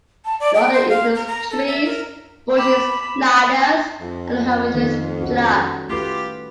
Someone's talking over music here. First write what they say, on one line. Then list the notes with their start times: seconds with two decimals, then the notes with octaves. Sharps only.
The order includes trees, bushes, lianas, and herbaceous plants.
0.25 A5
0.40 D5
0.55 G5
0.73 C5
0.89 F5
1.15 A#4
1.27 A#5
1.51 A4
1.67 E5
1.84 A#4
2.57 B5 D6 E7
4.01 F2
4.74 D#3 A3
5.21 C#4 F#4 A4
5.46 G3 F#4
5.90 A3 F4 G4 B4